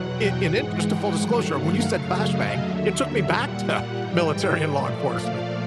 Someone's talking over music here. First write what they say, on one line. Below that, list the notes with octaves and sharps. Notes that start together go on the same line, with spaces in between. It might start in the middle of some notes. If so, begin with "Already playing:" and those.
in interest of full disclosure, when you said "flashbang," it took me back to, uh, military and law enforcement.
Already playing: E2 B2 F#3 F#5
G5
G#2 E3 G#3 F#5
G5
G2 D#3 F#3 A3 F#5
F5
F#2 C#3 F#3 A3 F5
D#5
D#2 D3 F#3 E5
A#2 G3 F#5
G#2 E3 G3 G5
G5
A#2 F3 A3 D5
F5